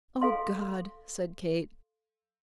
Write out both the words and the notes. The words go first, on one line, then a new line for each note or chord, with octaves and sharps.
"O God!" said Kate.
A4 F5 C6